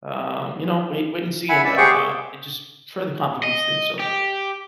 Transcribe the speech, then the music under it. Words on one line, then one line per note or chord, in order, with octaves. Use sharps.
um, you know wait wait and see, and then, uh, it just further complicates things so,
E5 F#5 G#5 B5
D5 E5
G4 G#4 C5 F#5 G5 C#6
D6
D#5
G4